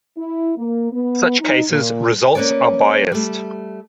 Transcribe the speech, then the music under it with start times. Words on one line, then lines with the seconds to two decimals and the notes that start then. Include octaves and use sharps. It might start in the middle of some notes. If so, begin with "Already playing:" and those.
In such cases results are biased.
0.17 E4
0.57 A#3
0.92 B3
1.39 D#4
1.70 A#2
2.35 A#3 C#4 B4 C#5 D5
3.12 G3 A3